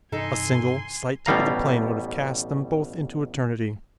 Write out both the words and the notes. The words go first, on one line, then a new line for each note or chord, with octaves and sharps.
A single slight tip of the plane would have cast them both into eternity.
G2 C3 E3 D#4 A4 G#5 C6
A1 B2 G3 F5 A#5